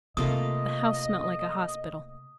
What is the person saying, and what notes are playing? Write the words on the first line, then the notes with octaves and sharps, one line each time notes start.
The house smelt like a hospital.
C3 A3 A#3 F4 D#5 D#6